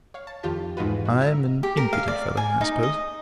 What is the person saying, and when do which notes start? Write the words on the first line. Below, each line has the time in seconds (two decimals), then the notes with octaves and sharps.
I am an impudent fellow, I suppose.
0.14 C#5 F5
0.27 A5
0.43 F2 D#3 F4 G4 A5
0.77 E2 G#2 D#4 F4 F#4 B4
1.06 F#4
1.21 D#5 E5 A#5 E6 F6
1.63 G4
1.77 A#4
1.93 F5
2.08 D5
2.37 G#5
2.61 D#4
2.83 D#5